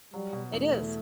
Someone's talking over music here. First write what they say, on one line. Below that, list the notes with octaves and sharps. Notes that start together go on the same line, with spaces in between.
It is.
F#3 G3
B2
E2 A3
E2